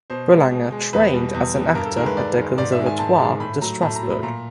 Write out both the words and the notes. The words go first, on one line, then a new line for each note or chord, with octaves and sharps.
Boulanger trained as an actor at the Conservatoire de Strasbourg.
B2 C5
G#3
B2
G#3
E2 B4
B2 G3
E2
B2 G3
G2 A#4
A4
D#3 G#3 A#4
B4
G2 D5
D#3 G#3
G#2 D5
E5
D#3 G#3
G#5
G#2 A5
D#3 G#3
A2 B5
F#3 A3 A#5
A2 A5
A#5
F#3 A3
B5
A#2 A#5